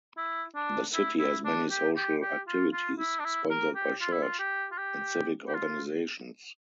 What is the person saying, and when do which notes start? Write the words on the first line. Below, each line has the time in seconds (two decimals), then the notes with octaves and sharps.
The city has many social activities sponsored by church and civic organizations.
0.17 E4
0.55 D4
0.94 E4
1.19 E4
1.45 D4
1.70 G4
1.96 G4
2.22 G4
2.47 F4
2.73 F4
2.99 E4
3.19 D4
3.25 E4
3.50 A#4
3.76 G4
4.01 F4
4.12 E4
4.23 F4
4.39 G4
4.72 F4
4.78 G4
5.48 G4
5.54 F4